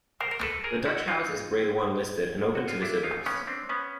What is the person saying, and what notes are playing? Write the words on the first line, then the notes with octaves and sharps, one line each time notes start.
The Dutch House is Grade One listed, and open to visitors.
A#4 C5
A#4
A4 B4
G#4 A#4
E4 F#4
D#4 F4
F#4
F4
D4 E4
D#4 F4
B3 C#4
C4 D4
B3 C#4